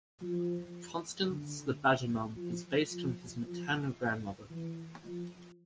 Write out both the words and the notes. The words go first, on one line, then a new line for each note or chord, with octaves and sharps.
Constance the Badgermum is based on his maternal grandmother.
F3
D3
F3
F3
F3
E3
F3